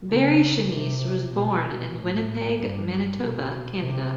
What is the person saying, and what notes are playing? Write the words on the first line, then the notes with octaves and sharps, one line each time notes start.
Barry Chamish was born in Winnipeg, Manitoba, Canada.
C#3
C3
B2
A2
G2
B2
C3